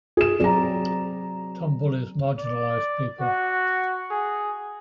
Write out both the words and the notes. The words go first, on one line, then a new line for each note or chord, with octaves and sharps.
Tom bullies marginalized people.
G#4 E7
F#3 C4 G#4 D5 A#5
D5
F#4
G#4